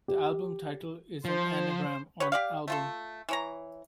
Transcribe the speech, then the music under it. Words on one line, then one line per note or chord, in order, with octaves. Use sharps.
The album title is an anagram on "album".
G4
F3 C5
G4 B4 C#5
G4 D5 F5
A3 F4 A4
E3 C#5 A#5